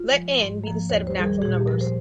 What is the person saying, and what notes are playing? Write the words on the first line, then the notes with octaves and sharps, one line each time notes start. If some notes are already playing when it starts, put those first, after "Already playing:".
Let N be the set of natural numbers.
Already playing: F4
F3 G#3
G#2
F3 A#3
D#2 C#5
C5
D#3 G3 G#4
A#4
A#2 G#4
G4
F3 G#3 A#4
C5